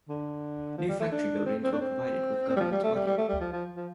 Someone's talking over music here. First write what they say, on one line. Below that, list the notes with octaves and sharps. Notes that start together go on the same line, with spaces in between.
New factory buildings were provided with government money.
D3
F3
G3
A3
D4
C4
C4
D4
C4
C4
G3
F3
G3
A3
G3
G3
A3
G3
F3
F3
F3